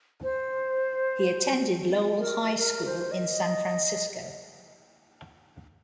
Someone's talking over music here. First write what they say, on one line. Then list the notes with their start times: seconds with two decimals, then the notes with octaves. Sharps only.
He attended Lowell High School in San Francisco.
0.23 C5
2.19 A#4
2.58 A#4
2.86 C5
3.12 D#5